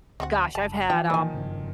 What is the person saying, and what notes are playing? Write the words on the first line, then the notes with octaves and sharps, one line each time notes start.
gosh, I've had, um
D2 C4 F#4 F#5
F#1 A5
E3 F3 G5
A#2 D#3 F3 C5 G#5
F#1 G2 C#3